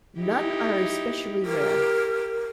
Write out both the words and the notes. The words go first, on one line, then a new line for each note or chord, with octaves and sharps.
None are especially rare.
D#4 E4 G4
G4 A#4